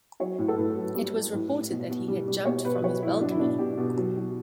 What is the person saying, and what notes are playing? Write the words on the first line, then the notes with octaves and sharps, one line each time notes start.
It was reported that he had jumped from his balcony.
F#3 C#5
A2
A4
A2 B4
F#3
G3
G3
A2
A2
B2
B2
G3
G3
B2 C#5
B2 B4
F#3 C#5
F#3 E4
F#3 D4
E4
B2 D4
B2 G4
B2
F#3
F#3